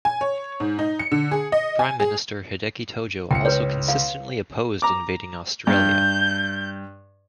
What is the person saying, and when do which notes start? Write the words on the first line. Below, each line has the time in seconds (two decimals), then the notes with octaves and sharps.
Prime Minister Hideki Tojo also consistently opposed invading Australia.
0.05 G#5
0.21 C#5
0.60 G#2
0.79 D#4
0.99 C#7
1.11 D3
1.31 G#4
1.52 D#5
1.79 G#5
2.00 G#4
3.31 C#2 G5 C#7
3.45 B4 C#5
3.88 F5
4.82 A#5 D6
5.67 G2 G6